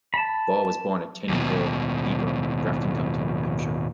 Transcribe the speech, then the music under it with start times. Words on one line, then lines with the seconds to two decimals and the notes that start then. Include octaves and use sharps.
Ball was born at Tenny Hill, Hebron, Grafton County, New Hampshire.
0.14 A5 B5
1.29 D#2 B2